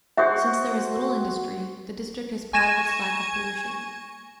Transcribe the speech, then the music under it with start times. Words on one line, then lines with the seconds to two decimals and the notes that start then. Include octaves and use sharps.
Since there is little industry, the district is proud of its lack of pollution.
0.17 F#4 C5 E5 D#6
2.53 G#5 C#6 G#6 A#6 D#7 E7